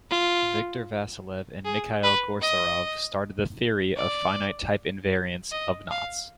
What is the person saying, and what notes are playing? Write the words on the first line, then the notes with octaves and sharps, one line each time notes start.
Viktor Vassiliev and Mikhail Goussarov started the theory of finite type invariants of knots.
F4
G#4
B4
D#5
D5
D#5
F5